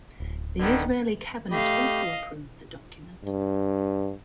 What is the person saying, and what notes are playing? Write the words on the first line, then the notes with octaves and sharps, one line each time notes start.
The Israeli Cabinet also approved the document.
D1
D3 D#3 B3
A3 G4 D#5 F5 B5
G2